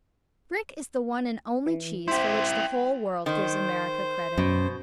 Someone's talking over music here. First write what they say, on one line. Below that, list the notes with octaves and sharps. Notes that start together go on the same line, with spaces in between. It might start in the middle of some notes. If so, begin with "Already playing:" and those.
Brick is the one and only cheese for which the whole world gives America credit.
E3
E4 G4 C5
D#3 C5
F#2 B2